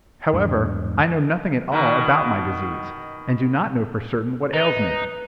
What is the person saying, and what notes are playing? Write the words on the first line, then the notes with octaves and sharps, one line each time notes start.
However, I know nothing at all about my disease, and do not know for certain what ails me.
E2 G#2 G3 D4
B2 D#3
D#4 B4